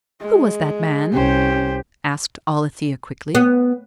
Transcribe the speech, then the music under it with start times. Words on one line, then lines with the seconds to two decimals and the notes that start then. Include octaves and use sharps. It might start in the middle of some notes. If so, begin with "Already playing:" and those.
"Who was that man?" asked Alethia quickly.
0.20 G#3
1.13 C2 C#4 G4 C5
3.35 B3